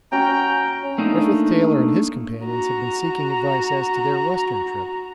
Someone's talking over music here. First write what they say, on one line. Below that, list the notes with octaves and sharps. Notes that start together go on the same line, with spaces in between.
Griffith Taylor and his companions have been seeking advice as to their Western trip.
C#4 F#4 F#5 G5 A#5
A3 A#3 D4 D#4
F#4 A#5